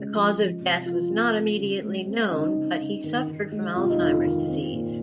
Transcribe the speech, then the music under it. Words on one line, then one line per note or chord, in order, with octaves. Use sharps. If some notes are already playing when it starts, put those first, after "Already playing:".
The cause of death was not immediately known but he suffered from Alzheimers' disease.
Already playing: C#3 G#3
F3
F3
C3
F3 F4
C4
C4
C#3
G#3
C4
C#3 D#4
C#3
C#3
D#3
D#3
G#3
C3 F4
D#4
F2 F4
D#3
C4
A#2